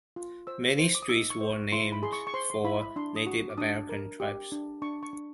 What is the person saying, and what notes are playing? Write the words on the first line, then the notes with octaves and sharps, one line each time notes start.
Many streets were named for Native American tribes.
F4
C5 E6
C5
D6
D#6
D#4 E6
C#6
C5
C#6
E4 C6
B5
G#4 C6
C#6
C#6
C5 C6
C6
E4 B5
B5
D4 C6
D#6
F#4
D6
D4 D#6
A#4
G4
D4
D4 C#6
C#6
D4